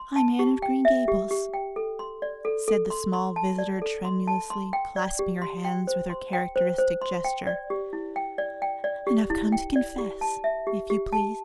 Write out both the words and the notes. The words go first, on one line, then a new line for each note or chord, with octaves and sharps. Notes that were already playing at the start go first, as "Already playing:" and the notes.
"I'm Anne of Green Gables," said the small visitor tremulously, clasping her hands with her characteristic gesture, "and I've come to confess, if you please."
Already playing: C6
A5
G4
G5
E5
G4
G4
G5
A4
C6
D5
A4
A4
C6
C6
A5
D5
A4
C6
A5
C6
G5
D5
G4
C6
G5
C5
C6
G5
C5
C5
C6
G5
D5
G4
E4
G5
D5
G5
D5
G4
E4
G5
D5
G4
A5
E5
G4
G4
A5